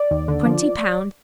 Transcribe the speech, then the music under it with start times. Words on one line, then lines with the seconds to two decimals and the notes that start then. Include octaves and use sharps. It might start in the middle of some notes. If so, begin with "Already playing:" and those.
Twenty pounds!
Already playing: D5
0.11 D#2
0.28 D3
0.46 F3